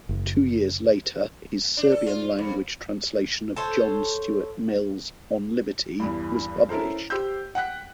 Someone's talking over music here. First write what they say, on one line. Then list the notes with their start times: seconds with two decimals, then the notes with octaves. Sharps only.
Two years later, his Serbian-language translation of John Stuart Mill's "On Liberty" was published.
0.09 F#1
1.77 D4
1.92 A4
2.07 F4
2.38 F2
3.56 A4 C5 C#5
6.00 E2 G2
6.69 C#4 E4 A4 A#4 C5
7.10 G4 C5 E6 G6
7.55 F#5 G5 F#6 B6